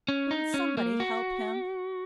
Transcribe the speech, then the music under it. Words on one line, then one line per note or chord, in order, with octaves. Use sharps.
Wouldn't somebody help him?'
C#4
D#4
C#4
A#3
F#4